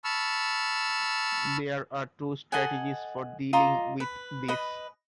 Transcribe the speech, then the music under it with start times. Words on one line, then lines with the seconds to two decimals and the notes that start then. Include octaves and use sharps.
There are two strategies for dealing with this.
0.04 A5 B5 C#6 E6 F6
2.52 A4 D#5 F#5 G#5
3.53 F4 D#5 A#5 D6
4.00 B4
4.48 B4 D#5 D#6